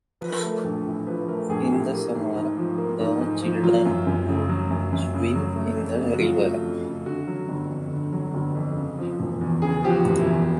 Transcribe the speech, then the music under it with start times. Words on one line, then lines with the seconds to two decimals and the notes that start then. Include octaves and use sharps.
In the summer the children would swim in the river.
0.21 F3 B4
0.30 A#4
0.38 A4
0.43 A3 A#4
0.64 A#1
0.86 A2
1.07 F3 B4
1.28 A3 A#4
1.49 A#1 G#4
1.72 A2 G4
1.93 A#3
2.14 G#2
2.35 G#2
2.57 F3
2.78 A#3
3.00 G#2
3.21 G#2
3.42 F3
3.63 F#3 F4
3.85 F#2
4.07 F#2
4.28 C#3
4.49 F#3
4.71 F#2
4.93 F#2
5.14 C#3
5.35 F#3
5.56 A3
5.77 F2
5.99 C#3
6.14 F#4
6.20 F#3 F4
6.42 A3
6.63 F2
6.84 C#3
7.06 D3 F#4
7.27 F#3
7.49 G1
7.70 F2
7.91 D3
8.13 F#3
8.34 G1
8.55 F2
8.77 C#3
8.99 F3
9.20 E1
9.41 E2
9.62 C#3 G#4
9.84 F3 G4
9.90 F#4
10.05 E1
10.19 E4
10.26 E2